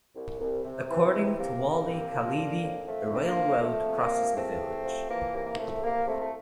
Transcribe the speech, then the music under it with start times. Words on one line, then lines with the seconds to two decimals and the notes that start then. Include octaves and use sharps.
According to Walid Khalidi, a railroad crosses the village.
0.15 C2
0.40 C2
0.64 C3
0.89 E3
1.14 C3
1.38 C3 A#3
1.64 C2
1.88 C3
2.12 F3
2.37 D3
2.63 F2
2.87 F3 A3
3.11 D3 C4
3.23 A#3
3.36 F3
3.60 F3 A3
3.85 C3
3.98 A#3
4.10 F3
4.34 E2 A3 C4
4.60 C3
4.84 F3
5.09 E3 A#3
5.33 C3 A#3
5.46 A#3
5.58 C2 A3
5.83 C2 A#3
6.08 C3 A3
6.21 A3